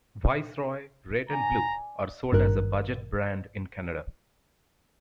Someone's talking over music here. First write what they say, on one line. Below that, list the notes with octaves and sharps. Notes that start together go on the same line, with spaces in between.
Viceroy Red and Blue are sold as a budget brand in Canada.
D4 G#5 A#5
G#1 G2 D#3 A#4 F#6